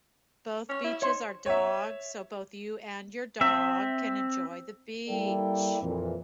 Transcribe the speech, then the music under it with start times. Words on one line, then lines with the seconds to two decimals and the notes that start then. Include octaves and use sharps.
Both beaches are dog so both you and your dog can enjoy the beach.
0.69 C#4
0.84 E4
1.02 D#4 C5 C#5
1.46 C#5 E5
3.41 C4 E5
5.09 G3 A#3 E4 A4 D5 G5
5.82 F2 A#2 E3